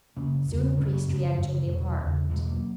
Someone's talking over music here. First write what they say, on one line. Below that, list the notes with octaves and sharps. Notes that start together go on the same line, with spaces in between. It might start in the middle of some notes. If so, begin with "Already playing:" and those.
Soon the priest re-entered the apartment.
F#2 C#3 A#3 C#4
E2 C#3
C#4
F#2 C#3 G#3 B3
A#3 C#4
F#2 C#3 G#3 B3
F#2 C#3 E3 G#3
D#3
E3
E2 B2 D#3 F#3
E2 C#3
E2 B2 E3 G#3
F#3 A#3